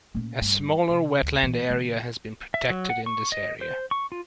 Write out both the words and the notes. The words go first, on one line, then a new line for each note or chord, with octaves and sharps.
A smaller wetland area has been protected in this area.
A#2 C#4
G2
C3
D2
A#2 E3
C#3 E3
E5
F#3
F#5
C#6
D#5
C5
C#6
F4